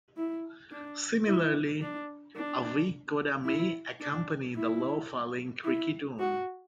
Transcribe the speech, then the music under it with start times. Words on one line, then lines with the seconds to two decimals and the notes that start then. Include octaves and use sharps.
Similarly, a weak coda may accompany the low-falling creaky tone.
0.17 E4
0.71 D4
1.27 E4
1.81 D4
2.36 D4
3.45 E4
4.00 D4
4.55 E4
5.65 E4
6.19 F#4